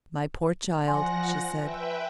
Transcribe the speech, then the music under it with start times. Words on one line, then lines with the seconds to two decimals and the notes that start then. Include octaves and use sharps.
"My poor child," she said.
0.87 F3 D5 F#5 G#5 C6 A#6
1.60 B4 E5 G5